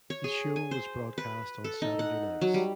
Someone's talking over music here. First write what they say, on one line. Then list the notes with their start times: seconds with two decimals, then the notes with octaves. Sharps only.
The show was broadcast on Saturday nights.
0.10 C#5
0.24 G#4
0.56 G#5
0.71 C5
1.18 B4
1.64 A4
1.82 D#4
1.99 F#5
2.41 F#3
2.54 G3